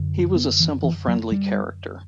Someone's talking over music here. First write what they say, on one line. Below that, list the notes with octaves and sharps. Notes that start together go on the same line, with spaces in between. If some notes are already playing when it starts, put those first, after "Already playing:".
He was a simple friendly character.
Already playing: F#2 D3
B3
E3
E3
F#3
G3